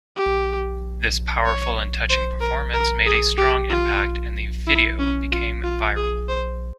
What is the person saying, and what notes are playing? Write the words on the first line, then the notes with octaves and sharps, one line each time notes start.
This powerful and touching performance made a strong impact and the video became viral.
G4
C#5
C5
A#4
A#4
G#4
G4
F4
E4
C#4
F4
F4
G#4
C5